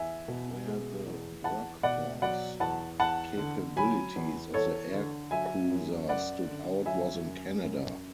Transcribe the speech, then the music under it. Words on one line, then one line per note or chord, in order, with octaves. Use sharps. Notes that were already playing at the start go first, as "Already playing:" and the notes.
Where the workhorse capabilities of the Aircruiser stood out was in Canada.
Already playing: E2 E5 G#5
B2
G#3
E2
E2 F#5 A5
B2 D5 F#5
F#3 D5 F#5
E2 F#5 A5
E2 F#5 A5
D3
F#3 G#5 B5
E2
E2 A4 C#5
D3
F#3 E5 G#5
F#2
F#2 D5 F#5
D3
F#3 E5 G#5
F#2
F#2